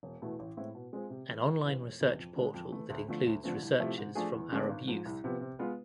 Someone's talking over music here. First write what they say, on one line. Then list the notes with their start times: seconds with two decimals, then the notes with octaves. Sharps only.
An online research portal that includes researches from Arab youth.
0.03 E1
0.21 E2 B2 A3 E4
0.39 A1
0.57 A2 G#3 C4 E4
0.75 B2
0.93 G#3 C4 F4 G#4
1.10 C3
1.29 E3 G#3
1.46 E2
1.65 C3 E3
1.83 E1
2.00 D2 C3 E3
2.18 F2
2.36 D3 G#3
2.54 F2
2.72 E3 A3
2.90 D2
3.08 D3 F3 A3
3.26 D2
3.43 D3 F3 A3 C4
3.62 C2
3.80 C3 F3 A3 E4
3.98 G#2
4.15 F3 A3 D4 G#4
4.34 E2
4.52 D3 G#3 B3 D4
4.69 G#1
4.88 G#2 F3
5.05 C2
5.24 C3 F3 B3
5.41 C3
5.59 G#3 B3 F4 B4